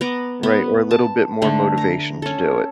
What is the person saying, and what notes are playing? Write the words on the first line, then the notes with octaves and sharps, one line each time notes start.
Right? Or, a little bit more motivation to do it.
B3 A#5 D6
B3
A5
D3 A3
A#5
C#4 A4